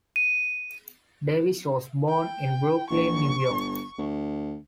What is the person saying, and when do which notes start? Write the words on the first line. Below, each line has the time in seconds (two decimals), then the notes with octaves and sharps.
Davis was born in Brooklyn, New York.
0.16 D#7
2.08 G5
2.90 A#1 C#6
3.49 G1
3.98 D2